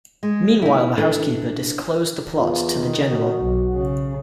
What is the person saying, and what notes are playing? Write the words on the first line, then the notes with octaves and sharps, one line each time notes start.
Meanwhile the housekeeper disclosed the plot to the general.
G#3
D#4 E4
D4 E4 A4 B4
E2 F4
D#3
F#4
B1
C#3